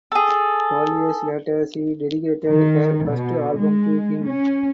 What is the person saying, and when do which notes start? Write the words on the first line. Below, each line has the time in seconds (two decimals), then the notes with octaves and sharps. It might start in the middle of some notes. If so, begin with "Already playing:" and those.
Twelve years later she dedicated her first album to him.
0.12 G#4 A4
2.46 D#3
3.08 B2
3.59 G#3
4.26 C#4